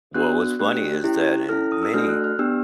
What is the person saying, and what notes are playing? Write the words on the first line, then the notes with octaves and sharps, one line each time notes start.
Well, what's funny is that in many
B3 D4 F#4 F#6
A3 D4 G4 F#6
C#4 E4 G4
C#4 E4 A4 F6
D#6
E6
A3 D4 F#4 A4 F6
F#6
F6
B3 D4 G4 E6